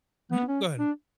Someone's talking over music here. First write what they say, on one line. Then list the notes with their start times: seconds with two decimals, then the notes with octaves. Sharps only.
Mhm, go ahead.
0.32 B3
0.49 C#4
0.79 D4